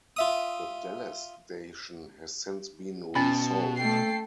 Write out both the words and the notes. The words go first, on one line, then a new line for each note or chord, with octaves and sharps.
The Dallas station has since been resold.
F4 E5 D#6
B2 C#4 A5 B5
A3 A4 G5 C7